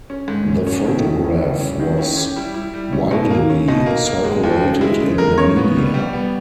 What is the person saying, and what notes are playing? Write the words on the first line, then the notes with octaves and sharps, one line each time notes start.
The photograph was widely circulated in the media.
C#4
G#2
C#4
C#4
D#3 E4
C#4
D#3
G3
C#4
D#3
C#4 E4
C#4 G4
G3 E4
G3 E4
G3
C#4
B2
A#3
C#4
B2 D#4
A#3
A#3
G#3
D#2
C#3
G#3 E4
C#3
G#3 A#4
C#3 C#5
B3
G3
G3
B3